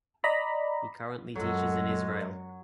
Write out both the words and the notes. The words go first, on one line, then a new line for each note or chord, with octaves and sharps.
He currently teaches in Israel.
D5 D#5 A#5 B5
F#2 F#3 G#3 A4